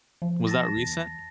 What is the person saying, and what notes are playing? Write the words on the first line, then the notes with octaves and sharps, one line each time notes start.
Was that recent?
F3
A5 A6 A#6
E2